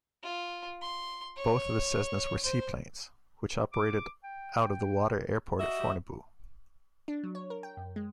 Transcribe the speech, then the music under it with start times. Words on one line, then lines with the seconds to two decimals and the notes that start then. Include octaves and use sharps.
Both the Cessnas were seaplanes, which operated out of the water airport at Fornebu.
0.23 F4
0.82 C6
1.37 C#5
2.44 C5
3.73 D6
4.24 G5
5.60 F#4 D#5 E5
5.77 G4
7.08 D4
7.24 F#3
7.35 C#5
7.50 A#4
7.63 G5
7.77 F#2
7.96 G#3